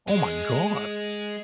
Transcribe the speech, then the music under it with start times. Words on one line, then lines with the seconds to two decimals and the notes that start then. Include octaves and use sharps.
Oh my god."
0.08 G#3